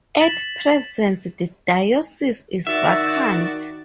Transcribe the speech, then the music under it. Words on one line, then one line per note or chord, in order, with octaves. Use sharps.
At present the diocese is vacant.
A6 B6 E7 F#7
D#3 F#4 D5 E5